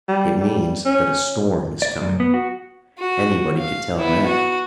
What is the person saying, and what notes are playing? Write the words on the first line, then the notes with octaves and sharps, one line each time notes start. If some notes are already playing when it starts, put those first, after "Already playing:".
It means that a storm is coming. Anybody could tell that.
G3
G3
C#4
D5
F#2
B3
F#4
F#4
F5
B3 E4
F#4